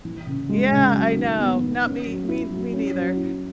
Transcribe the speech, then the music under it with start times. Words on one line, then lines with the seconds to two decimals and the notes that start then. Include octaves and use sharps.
Yeah, I know, not me me me neither,
0.05 E3
0.27 C#3
0.49 G#3
0.71 C#3
0.94 F#3
1.17 D#3
1.39 B3
1.61 D#3
1.84 C#4
2.06 F#3
2.28 E4
2.51 F#3
2.73 C#4
2.95 F#3
3.17 E4